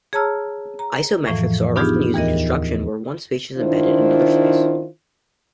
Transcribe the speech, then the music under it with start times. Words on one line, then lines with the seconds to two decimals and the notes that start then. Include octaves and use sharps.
Isometries are often used in constructions where one space is embedded in another space.
0.13 G#4 C#5 A5 A#5 E6 F6
0.79 A#5
1.27 F2 A2 E3 F3
1.76 B3 D4 D#4 F4 G4 G#4
2.14 D#2 E3 A#4 D#5
3.58 D#3 D4 E4 F4 C5